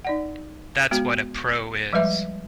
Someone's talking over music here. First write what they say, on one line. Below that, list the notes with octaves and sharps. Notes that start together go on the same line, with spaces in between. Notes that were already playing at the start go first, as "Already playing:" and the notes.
That's what a pro is.
D#4 D5 F#5
G#3 B3 F#4
F3 G3 G#3 B4 E5